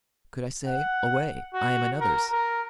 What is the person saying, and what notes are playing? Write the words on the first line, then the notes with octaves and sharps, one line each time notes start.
Could I say "Away! I am another's"?
F#5
F#4
A#4
A#4